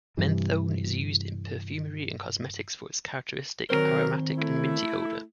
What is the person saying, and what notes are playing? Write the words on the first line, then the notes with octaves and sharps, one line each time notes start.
Menthone is used in perfumery and cosmetics for its characteristic aromatic and minty odor.
G2 C3 E3 G3
D#3 F#3 C4 A#4 C5
A3 E4